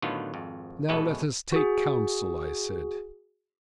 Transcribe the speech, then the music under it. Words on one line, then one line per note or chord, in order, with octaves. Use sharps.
"Now let us take counsel," I said.
A2 D3 D#3 F#3 B3 F4
G#1 F2
A#1 E2 B2 G#3 A4 B4
F#4 G#4